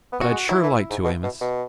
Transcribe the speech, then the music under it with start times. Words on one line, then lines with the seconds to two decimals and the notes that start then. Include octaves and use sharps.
But I'd sure like to, Amos.
0.12 B3
0.21 F#4
0.31 G#3
0.49 F#3 E4
0.63 E3
0.90 G#2
1.04 B2
1.23 B2
1.41 B2